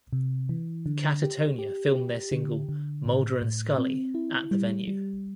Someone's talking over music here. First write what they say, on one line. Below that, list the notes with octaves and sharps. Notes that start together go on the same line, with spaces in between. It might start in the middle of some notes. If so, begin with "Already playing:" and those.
Catatonia filmed their single "Mulder and Scully" at the venue.
C3
E3
D3
G4
G4
G4
D3
D3
A2
A2
C4
E4
G3
G3